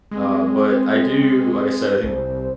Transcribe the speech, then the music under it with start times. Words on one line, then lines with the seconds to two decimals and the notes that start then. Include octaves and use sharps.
Uh, but I do, like I said, I think
0.11 G#3 C4
2.04 C2 C5